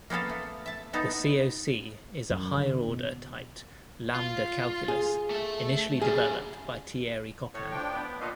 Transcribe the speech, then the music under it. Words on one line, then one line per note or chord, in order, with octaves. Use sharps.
The CoC is a higher-order typed lambda calculus, initially developed by Thierry Coquand.
A#3 B3 C#4 A4 F5
A3
E5 A5
B3 D#4 A4
F#2
D3
B2
F4
G#4
A3 E5
F#2 G3 G#4
A2 C#5
F3 D4 G5
B3
A#2 D4 D#5 F5